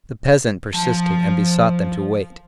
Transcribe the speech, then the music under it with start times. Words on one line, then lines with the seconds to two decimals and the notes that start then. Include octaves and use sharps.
The peasant persisted and besought them to wait.
0.74 F3 A5